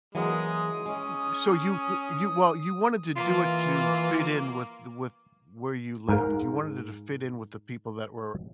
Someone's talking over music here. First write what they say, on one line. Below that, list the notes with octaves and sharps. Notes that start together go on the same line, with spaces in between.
w so you w you well, you wanted to do it to fit in with the with where you lived. You wanted it to fit in with the people that were
E3 F#3 G#3 A#3 D#6
G#3 C#4
E3 A#3 F4
G#2 A#4 F5